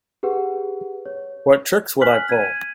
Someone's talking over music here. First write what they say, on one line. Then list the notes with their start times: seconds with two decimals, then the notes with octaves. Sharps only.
What tricks would I pull?
0.23 G4 G#4 B4 F#5
1.06 C#5
2.01 G#5 F6 F#6 B6 F#7
2.29 G#6 D#7